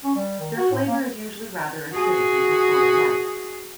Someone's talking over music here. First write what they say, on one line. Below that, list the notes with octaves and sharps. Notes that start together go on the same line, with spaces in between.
Their flavour is usually rather acidic until fully ripe.
C#4
G3
D#3
F#4
A2
A#3
F#4 G#4